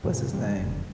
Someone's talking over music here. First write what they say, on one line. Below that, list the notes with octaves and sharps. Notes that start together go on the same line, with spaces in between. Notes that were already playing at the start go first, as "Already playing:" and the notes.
What's his name?
F#2 A#2 C#3
G#2 C#3 E3 G3
F#1 F2 D3